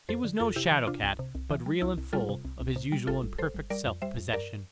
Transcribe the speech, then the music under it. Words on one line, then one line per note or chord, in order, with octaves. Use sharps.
He was no shadow-cat, but real and full of his usual and perfect self-possession.
F2 A4 C5
D3
F2 F4 A4
C3 E4 G4
E3
C3 D4 F4
C2
C3
C2
E3
G3
C2 E4
C2
G3 F4 A4
C3
C2
C2
C3
G3
G1 F4 A4
G1
G1 A4 C5
G1
G3 A#4 D5
F2
G3 C5 E5
F2
G2 A#4 D5